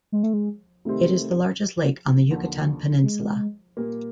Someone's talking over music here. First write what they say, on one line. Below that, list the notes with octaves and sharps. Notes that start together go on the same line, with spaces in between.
It is the largest lake on the Yucatan Peninsula.
G#3
A3
G#3
C3 D#3 G3 A3 C4
D#2 D3 F3
G#3
A#2 G3 A#3